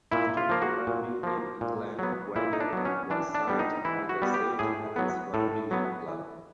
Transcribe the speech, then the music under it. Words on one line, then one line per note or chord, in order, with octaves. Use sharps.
After arriving in England Waddell was signed by the St Helens Rugby League Club.
A#2 E4
F4
F3 A#3
F#4
A#2
F3 A#3
A#2
F#3 B3
A#2 E4
D#4
D4
F#3 B3
C#4
E3 D4
D4
G3 B3
D#4
E3 E4
F#4
G3 B3
G4
A2 G#4
F#3 B3
A2 A4
F#3 B3
E3